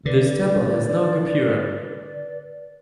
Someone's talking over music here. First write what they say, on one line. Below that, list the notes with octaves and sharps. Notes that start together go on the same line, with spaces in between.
This temple has no gopuram.
D3 B4 D5